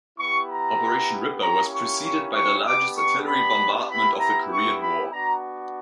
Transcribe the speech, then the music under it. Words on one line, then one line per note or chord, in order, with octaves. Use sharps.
Operation Ripper was preceded by the largest artillery bombardment of the Korean War.
B3 E4 G4 C#6
A#5
A#3 C#4 E4 G4 A#5
C#6
C#6
C#6
B3 D4 G4 D6
C#6
B5
B3 E4 G4 B5
A#5
C#6
B5
B3 D4 F#4 A#5